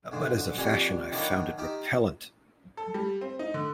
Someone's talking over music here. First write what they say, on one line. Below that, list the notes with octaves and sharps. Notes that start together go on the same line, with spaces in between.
But as a fashion I found it repellent.
B1 G#2 D3
A#1 F2 G3 G4 G#5
D#3 F#3 A#3 B3 D4
D#3 D#4 G4
A4
G3
C4
D#4
D3